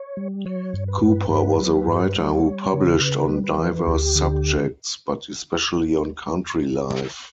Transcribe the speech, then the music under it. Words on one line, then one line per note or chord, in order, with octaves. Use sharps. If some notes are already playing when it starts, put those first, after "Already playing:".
Cooper was a writer who published on diverse subjects, but especially on country life.
Already playing: C#5
G3
F#3 C#5
G2
B4
G2
G2 B4
F#3
G2
G4
A4
B4
G3 C#5
G3
C#3
C#3 B4
G3
B4
E3
D2 G4
D3